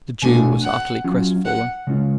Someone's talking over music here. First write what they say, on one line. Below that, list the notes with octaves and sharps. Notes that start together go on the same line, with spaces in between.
The Jew was utterly crestfallen.
B2 A3 D4 F#4 G#5
F#5
F#3 C#4 F4
F#5
C#3 G#3 C#4 F4